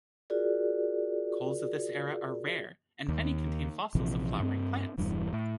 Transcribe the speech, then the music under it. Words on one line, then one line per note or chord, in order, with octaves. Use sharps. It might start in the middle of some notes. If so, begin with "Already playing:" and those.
Coals of this era are rare, and many contain fossils of flowering plants.
F4 F#4 G#4 A#4 D5
D#2
A#1 C3 E3 F3
G2 C4
E1 E2 G2 E3
A2